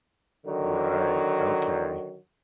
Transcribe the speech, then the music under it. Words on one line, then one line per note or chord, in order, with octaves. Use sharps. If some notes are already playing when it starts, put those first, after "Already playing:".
Right, okay.
D3 D#3 F#3